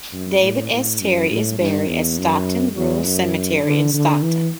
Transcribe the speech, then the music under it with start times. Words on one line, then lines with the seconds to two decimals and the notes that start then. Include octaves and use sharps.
David S. Terry is buried at Stockton Rural Cemetery in Stockton.
0.13 F#2
0.42 A2
0.72 A2
1.01 F#2
1.31 A2
1.60 G2
1.89 E2
2.18 F#2
2.77 E2
3.05 F#2
3.64 D3
3.94 D3
4.22 E3